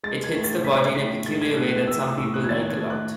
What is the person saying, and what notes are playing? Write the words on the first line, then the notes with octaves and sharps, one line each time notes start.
It hits the body in a peculiar way that some people like a lot.
G#3 A6
G#6
A2
A6
G#3 B6
A2 B6
G#3 A6
G#6
A2 F#6
F#6
A2 E6
D#6
A2 E6
F#6
G#6
D#3 A6
G#6
A3
F#6